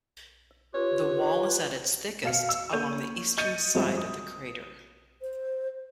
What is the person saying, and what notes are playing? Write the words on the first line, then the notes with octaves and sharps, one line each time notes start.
The wall is at its thickest along the eastern side of the crater.
F4 G4 B4 C#5
B2 F5 C#7
E6
A#3 C#5 G6 D#7
D#5 G6 A6 C#7 D#7
F#2 F3 G3 G#3 C4
D#6
C5